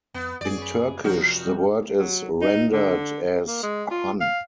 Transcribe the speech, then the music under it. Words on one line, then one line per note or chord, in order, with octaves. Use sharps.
In Turkish the word is rendered as "han".
F2 B3
F#2 G#4 D5
C#4 B4
F1 F#4 D#6 F6 G6
G3
F#3
D#4
D3
A#3
G#3
F4
F5